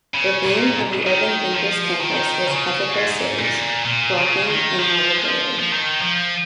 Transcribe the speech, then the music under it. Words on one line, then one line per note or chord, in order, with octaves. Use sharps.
The theme of the Urban Thinkers Campus was Ethical Cities: Locking in Liveability.
C#3
A#2
D#3
F3
D#3
C#3
G#2
A#2
A#2
C#3
D#3
F3
G#3
F3
F3
D#3
F3